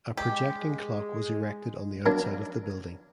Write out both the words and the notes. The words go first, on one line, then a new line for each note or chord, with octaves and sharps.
A projecting clock was erected on the outside of the building.
G#3 G4
F#3 A#3 D4